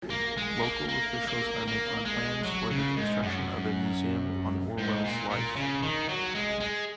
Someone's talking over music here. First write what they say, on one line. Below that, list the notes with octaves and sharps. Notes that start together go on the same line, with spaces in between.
Local officials are making plans for the construction of a museum on Orwell's life.
A#3
G#3
A#3
A#3
A#3
A#3
G#3
F#3
C#3
G#2
F#2
G#2
A#2
A#2
C#3
D#3
F#3
G#3
G#3